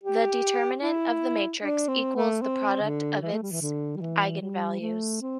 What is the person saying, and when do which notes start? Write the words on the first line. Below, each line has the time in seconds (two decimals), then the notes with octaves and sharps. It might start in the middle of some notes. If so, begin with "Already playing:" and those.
The determinant of the matrix equals the product of its eigenvalues.
0.03 G4
0.82 E4
1.62 D4
1.88 C4
2.16 A3
2.42 C4
2.82 D3
3.22 E3
3.32 A3
3.42 G3
3.52 E3
3.61 D3
3.96 G3
4.01 E3
4.40 G3
4.80 A3
5.21 C4